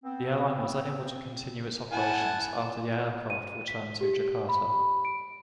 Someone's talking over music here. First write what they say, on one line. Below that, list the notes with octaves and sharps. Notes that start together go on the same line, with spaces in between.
The airline was unable to continue its operations after the aircraft returned to Jakarta.
B3 C4
E4 F#5 G#5 A5
D#7
B6
G4
B5
D7